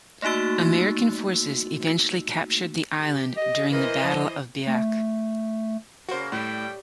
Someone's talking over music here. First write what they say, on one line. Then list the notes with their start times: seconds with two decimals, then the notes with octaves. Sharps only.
American forces eventually captured the island during the Battle of Biak.
0.22 A3 A#3 D#4 F#4 E6
2.98 G4
3.37 D#5
3.72 E3 A#4 C5 D#5
4.03 F3
4.67 A3
6.09 C#3 A#3 F#4 C5
6.32 A2 G3 G5